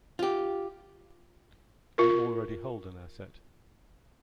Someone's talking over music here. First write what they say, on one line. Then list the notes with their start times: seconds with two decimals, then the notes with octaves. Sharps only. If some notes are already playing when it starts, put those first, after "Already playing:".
You already hold an asset.
0.19 F4 G4
1.98 F4 A#4